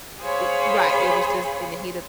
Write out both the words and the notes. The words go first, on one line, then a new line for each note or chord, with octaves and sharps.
eh right, it was just in the heat of
G#4 C5 C#5 F5 B5